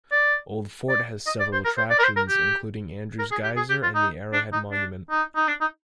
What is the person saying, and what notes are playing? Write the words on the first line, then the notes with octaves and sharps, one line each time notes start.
Old Fort has several attractions, including Andrews Geyser and the Arrowhead Monument.
D5
D5
D#5
D5
C5
A#4
C5
D5
A#4
C5
A#4
G4
A#4
G#4
G4
G#4
G4
F4
D#4
D4
D#4
D4
D#4
D#4
D4
D#4